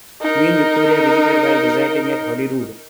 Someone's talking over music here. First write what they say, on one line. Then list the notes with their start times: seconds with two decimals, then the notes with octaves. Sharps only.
Queen Victoria visited while residing at Holyrood.
0.21 D#4 A#4